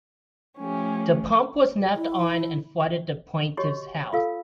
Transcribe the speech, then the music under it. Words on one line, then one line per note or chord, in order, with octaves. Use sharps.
The pump was left on and flooded the plaintiff's house.
F3 A3 C#4 G4
E4
F#4 G4 C#5 D#5 C#6
F4 A4 F5 E6